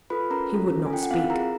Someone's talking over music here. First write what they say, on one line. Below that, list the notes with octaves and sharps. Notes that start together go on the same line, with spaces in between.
He would not speak.
F4 A4 B4 B5
C#4 A#4 A#5
F4 A4
C#4
G#5
F4 A4 G5
F#5
C4 F4 F5
E4 G#4 A#4 A#5